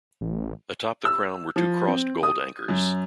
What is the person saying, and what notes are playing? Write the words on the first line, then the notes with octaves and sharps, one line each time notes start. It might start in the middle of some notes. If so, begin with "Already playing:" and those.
Atop the crown were two crossed gold anchors.
A1
E6
F3
C4
D#6
F#2